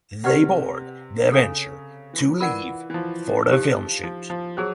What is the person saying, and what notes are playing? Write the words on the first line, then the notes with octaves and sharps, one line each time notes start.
They board the Venture to leave for the film shoot.
C3 G4 B4 D5 F#5
C#3 A4 C#5 F5 G#5
E3
E3 F4 A#4 D5 F#5
E3
F3
D#4 G4 C5 F5
F3
F3
F#3 G#4 C5